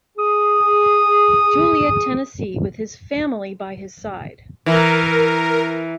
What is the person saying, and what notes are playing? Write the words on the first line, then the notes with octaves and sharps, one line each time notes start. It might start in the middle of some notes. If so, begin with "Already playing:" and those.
Juliet, Tennessee with his family by his side.
G#4 D#6
E3 A#4